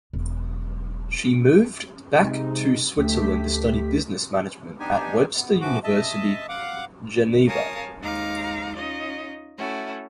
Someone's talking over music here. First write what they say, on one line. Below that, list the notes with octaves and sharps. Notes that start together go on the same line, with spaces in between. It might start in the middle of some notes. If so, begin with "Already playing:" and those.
She moved back to Switzerland to study business management at Webster University Geneva.
E1 F#3
C3 G#3 D#4
D2 A3 G4 B6
B3 D4 D#4 G4 G#5
B3
E3 F3 F#4 D6
D#5 E5 A5
F5 F#5 D6
A#4 C#5 F5 G#5 A5 D#6
D#2 G#3 D#4 F5 A#5 D6
C#4 D#4 F4 D#5
A3 C#4 E4 F#4